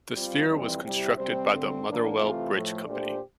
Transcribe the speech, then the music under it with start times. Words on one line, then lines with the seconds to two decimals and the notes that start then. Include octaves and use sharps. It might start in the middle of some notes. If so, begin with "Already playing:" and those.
The sphere was constructed by the Motherwell Bridge Company.
0.15 G3 C4 F4
0.48 F2 E3 G3 C4
0.82 C3 G3 C4 E4 G4
1.16 C3 G3 C4
1.50 G2 D3 A3 C4
1.83 A2 E3 A#3 D4
2.17 C3 E3 A3 C4 F4
2.51 A2 F3 A3
2.86 A#2 A3 D4 G4 C5